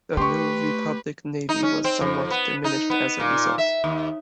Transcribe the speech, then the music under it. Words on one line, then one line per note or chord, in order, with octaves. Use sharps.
The New Republic navy was somewhat diminished as a result.
A3 G4 B4 C6 C#6
D#4
C#4
C4
F2
B3
D#4
B3
A#2
E5
D#2